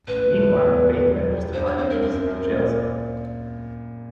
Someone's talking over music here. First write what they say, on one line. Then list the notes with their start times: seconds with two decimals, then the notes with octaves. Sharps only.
Meanwhile, Faith manages to find peace in her jail cell.
0.07 A1 B4
0.32 A3
0.56 E2
0.81 G3
1.05 E1
1.29 G3
1.53 G2 C5
1.66 C#5
1.78 C4 C5
1.90 A#4
2.02 F#2 A#4
2.27 F#2
2.51 A#2